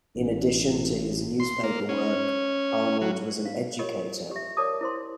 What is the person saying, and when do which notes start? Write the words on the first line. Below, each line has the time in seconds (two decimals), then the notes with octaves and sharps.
In addition to his newspaper work, Arnold was an educator.
0.17 A1
1.40 C6
1.63 A#3
1.89 C#4
3.01 F#3
3.45 F5
3.79 F4 G4 A#4 C#5 D#5
4.31 G4 E5
4.57 A#4 C#5 D5 A5 D6 D#6
4.81 E4 C5 C6